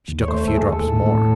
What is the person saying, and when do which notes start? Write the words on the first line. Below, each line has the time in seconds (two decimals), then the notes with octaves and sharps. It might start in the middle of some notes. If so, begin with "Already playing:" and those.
She took a few drops more.
0.08 D#2
0.22 C#5
0.28 A3 C5
0.48 D#2 A4
0.57 G#4
0.68 D#2 A4
0.87 A2
1.06 A2